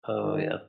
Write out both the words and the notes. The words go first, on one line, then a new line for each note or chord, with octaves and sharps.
Oh, yeah.
D#3